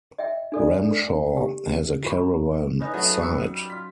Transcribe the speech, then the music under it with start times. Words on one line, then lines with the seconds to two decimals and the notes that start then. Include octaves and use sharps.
Ramshaw has a caravan site.
0.18 D#5 E5 G5
0.52 D4 A4 D5
0.85 A4
1.37 G4
2.04 F4 B5 C#6
2.80 B3 C#4 D#4
2.94 F#3 A3 G#4
3.18 C#6 E6
3.53 G3
3.70 F4 B6